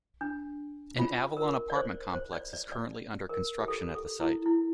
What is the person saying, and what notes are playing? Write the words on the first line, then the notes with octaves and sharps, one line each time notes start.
An Avalon apartment complex is currently under construction at the site.
D4
F4
A#4
D5
C5
C5
D5
D5
D5
A#4
G4
A4
A4
E4
E4